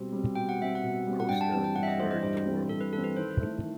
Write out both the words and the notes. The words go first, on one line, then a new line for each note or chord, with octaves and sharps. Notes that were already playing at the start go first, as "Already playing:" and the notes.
Costa toured the world.
Already playing: B2 G3 C4
G3 C4
B2 G5
F#5
G3 C4 E5
F#5
B2
G3 C4
F#5
G2 G5
A5
E3 G3 C4 A5
G5
G2 F#5
E5
D#5
E3 G3 C4 C5
D#5
G2 C5
E3 G3 C4
G2 A4
B4
E3 G3 C4 A4
B4
D#3 C5
A3 E4
D#3